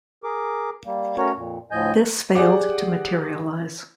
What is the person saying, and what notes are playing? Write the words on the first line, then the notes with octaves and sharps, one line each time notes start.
This failed to materialize.
G#4 A#4 D6
G3 A#3
A3 C#4 F#4 A#4 C#5
F2 A#2
D2 A2 F3 D#5 G#5 G6
G4 G#4 D5 F#5 D6